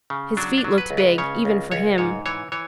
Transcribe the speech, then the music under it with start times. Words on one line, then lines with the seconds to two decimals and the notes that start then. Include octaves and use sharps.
His feet looked big, even for him.
0.10 C#3
0.37 F#3 D4
0.58 D4
0.64 F#3
0.78 B4
0.91 C#2
0.98 B4
1.18 C#3 C#5
1.45 C#2
1.71 C#2 C#5
1.98 G#2 C#5
2.26 E3 C#5
2.52 E3 C#5